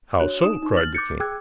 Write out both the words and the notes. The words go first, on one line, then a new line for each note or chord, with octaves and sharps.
"How so?" cried the king.
D4 F#4 C#5 F#6
D4 D#4 D#6 E7
D#4
F6 A6 F#7
D6 F#6 G6 A6 C#7
G#4 G5 D6 E6 F#6 G#6